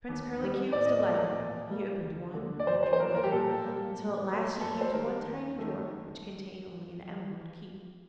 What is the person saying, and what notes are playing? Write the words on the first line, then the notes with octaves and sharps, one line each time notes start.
Prince Curlicue was delighted; he opened one after another, until at last he came to one tiny drawer which contained only an emerald key.
D#2
D#3 G3
A2 D5
D#5
D5
F#3 A3
A#2
G3 A#3
D2
D3 A3
D5
F#2 C5
C5
C5
F#3 A#3 A#4
A#4
G4
A#2 A4
G3 A#3
A#2
F#3 A3
F#2 A4
C5
D#3 G3 A#3 A#4
D#2
D#3 A3